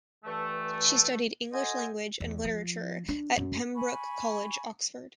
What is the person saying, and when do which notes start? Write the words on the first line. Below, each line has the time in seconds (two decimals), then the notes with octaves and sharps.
She studied English language and literature at Pembroke College, Oxford.
0.25 G2 E3 A3
1.52 F#4 A4 C5 D#5 G#5
2.20 E2
2.44 F3
3.08 D4
3.37 F#2
3.75 G#5 B5 C#6